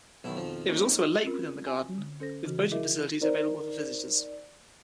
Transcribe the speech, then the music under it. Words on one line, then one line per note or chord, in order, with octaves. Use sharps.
There is also a lake within the garden with boating facilities available for visitors.
B1 B2 D#3 E4
F2 F3
A#3 C#4 D#4
C4 C#4 F4 A#4
G#5
D3
C#4 A4 C5 A#6
C#3 E3 F#4
E4 G#4 A#4 D#5 E5
D#4 A#4 C5 D5